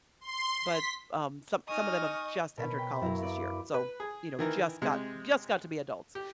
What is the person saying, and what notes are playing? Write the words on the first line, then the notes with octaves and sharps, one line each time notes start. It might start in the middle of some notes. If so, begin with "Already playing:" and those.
but, um, some some of them have just entered college this year so you know, just got just got to be adults,
C6
B6
D#4 D#5 G#5 C#6 D#6 F6
B2 A#4 B4 C#5 B5
G5 B6
F#2 E4 F5 A#5
B4 D5
B4
G#4
D#3 E3 A#4
C3 G#3
G4